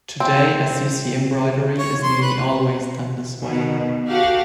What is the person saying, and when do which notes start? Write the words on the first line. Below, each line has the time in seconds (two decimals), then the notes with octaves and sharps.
Today Assisi embroidery is nearly always done this way.
0.20 C4
1.78 C#5
2.03 C6
2.22 B4
3.41 B2 D#3
4.08 F#4 G4 A4 F5 F#5